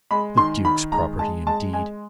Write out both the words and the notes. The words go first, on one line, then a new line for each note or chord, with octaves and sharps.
The Duke's property, indeed!
G#3 B5
D#3 C6
D#3 B5
G#3 A#5
G#3 A5
G#3 A5
G#3 G#5